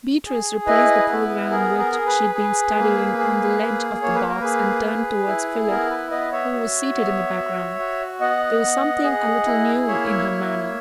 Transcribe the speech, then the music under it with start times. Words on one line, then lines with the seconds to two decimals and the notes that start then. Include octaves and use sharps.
Beatrice replaced the programme which she had been studying, on the ledge of the box, and turned towards Philip, who was seated in the background. There was something a little new in her manner.
0.25 G#4
0.66 E4 B4 D#5
1.08 B3 B4
1.51 G#4 A#4
1.79 A#4
1.92 G#4
2.06 B4
2.34 G#4
2.77 A#3
3.18 G#4
3.60 A#3
4.02 A#3 C#5
4.15 B4
4.28 A#4
4.41 G#4 B4
4.85 G#4
5.28 E4
5.69 B3 A#4
5.90 B4
6.11 B3 B4 D#5
6.32 C#5 E5
6.53 F#4
6.95 B3
7.37 F#4
7.79 F#4
8.20 B3 D#5 F#5
8.63 B3
9.04 G#4
9.46 E4
9.88 A#3 C#5 E5
10.31 E4